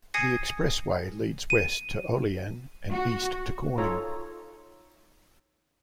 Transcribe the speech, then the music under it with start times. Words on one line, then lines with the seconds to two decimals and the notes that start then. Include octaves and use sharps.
The expressway leads west to Olean and east to Corning.
0.14 G#5 D#6 G#6 A#6 C7 C#7
1.50 D#7
2.91 F#4
3.78 D#4 F4 A4 C#5 A#5